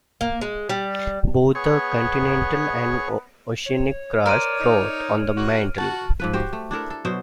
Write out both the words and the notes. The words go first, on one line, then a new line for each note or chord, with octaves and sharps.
Both the continental and oceanic crust "float" on the mantle.
A#3
G#3
G3
B3 G#4 C#5
C#5
A#4 C5 D5 F6 D7 D#7
D#4
A#3 D#4 F#4
F#4 A5
G#2 F3 B4
F#4 G4 C5
A3
D4 E4 A4 A#4
A4
B2 F#3 C5